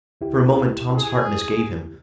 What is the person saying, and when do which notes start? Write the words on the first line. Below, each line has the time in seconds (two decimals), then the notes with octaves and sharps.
For a moment Tom's heart misgave him.
0.21 D2 E4 G4
0.97 G#4